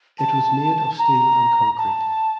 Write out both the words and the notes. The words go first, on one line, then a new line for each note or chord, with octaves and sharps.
It was made of steel and concrete.
A5
A#5
A5